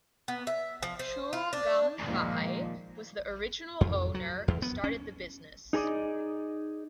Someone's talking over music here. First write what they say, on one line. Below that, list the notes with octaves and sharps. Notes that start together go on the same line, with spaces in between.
Chu Gam Fai was the original owner who started the business.
B3
E5
F3
C5
F4
D4
A#2 D#3 F3 G#3 A#3
F2
F#3
E2
B3
C#4
D#4 G#4 A#4 D5 D#5